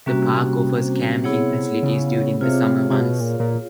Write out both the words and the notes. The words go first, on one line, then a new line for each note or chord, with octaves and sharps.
The park offers camping facilities during the summer months.
C3 G3 A#3 C#4 F#4
B3 E4 G#4 C#5 F#5
C#3
C3 F4 G#4 C#5 F5
C3
B2
A#2
A#2